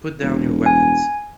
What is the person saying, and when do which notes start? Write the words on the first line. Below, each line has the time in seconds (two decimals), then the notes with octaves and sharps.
Put down your weapons.
0.22 E1
0.66 G#5